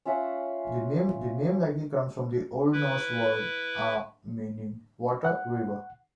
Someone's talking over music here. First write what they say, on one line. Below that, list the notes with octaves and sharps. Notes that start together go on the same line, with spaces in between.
The name likely comes from the Old Norse word "aa", meaning 'water, river'.
C#4 F4 E5 F#5
E4 B4
F#5